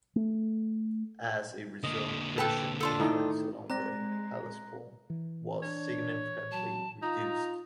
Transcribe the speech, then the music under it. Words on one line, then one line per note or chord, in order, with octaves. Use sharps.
As a result, Persian influence along the Hellespont was significantly reduced.
A3
D3 A#3 D#5
A4 B4 G5 A5
D4 F4 A4
A2 D#3 D#4
G#3 C4 D5 A#5 F#6 A#6
E3
D4 C#5
F#3 A5
D#4 F4 A#5